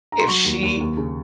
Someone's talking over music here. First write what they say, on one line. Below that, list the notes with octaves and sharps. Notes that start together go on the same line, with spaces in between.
if she
A#5
C6
F#3 C#6
D#2
D#2
D#2
C#3